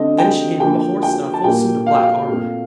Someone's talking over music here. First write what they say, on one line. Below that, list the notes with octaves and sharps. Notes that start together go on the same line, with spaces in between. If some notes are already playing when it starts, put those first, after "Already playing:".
Then she gave him a horse and a full suit of black armour.
Already playing: D3 A3 C4 D#5
G5
D3 F3 A#3 G5
G5
A5
A#2 G3 A#3 G5
F5
G5
F5
A#2 A3 C4